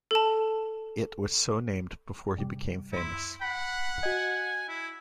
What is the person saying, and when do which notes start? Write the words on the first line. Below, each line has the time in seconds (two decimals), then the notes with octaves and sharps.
It was so named before he became famous.
0.11 A4 A5
2.37 G2 C3 G3
2.93 C#2 F#2 E4 C6
3.42 F#5 B5
4.03 F#4 D#5 G#5
4.69 E4